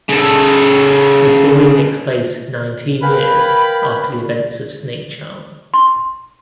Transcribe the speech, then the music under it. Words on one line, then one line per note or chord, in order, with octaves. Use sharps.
The story takes place nineteen years after the events of "Snakecharm".
C#3 A4
A#4 B4 F5 G5 G#5 B5
C6